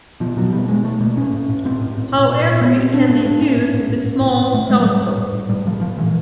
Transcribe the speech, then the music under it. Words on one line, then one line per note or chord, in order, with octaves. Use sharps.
However, it can be viewed with a small telescope.
B2 F3
B2 F#3
B2 G3
B2 G#3
B2 A3
B2 A#3
A2 C#4
A2
A2
A2 C4
A2
A2
A#2
A#2
A#2
A#2 B3
A#2 C4
A#2 D4
A2 D4
A2 D4
A2 C#4
A2
A2
A2
A2
A2
A2
A2 A3
A2 G#3
F#3
A2 G3
A2
A2
A2
A2 G3
A2 F3
A2 F3
A#2 E3